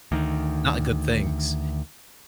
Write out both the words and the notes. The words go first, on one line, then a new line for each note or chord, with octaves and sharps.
not good things,
D2 D#3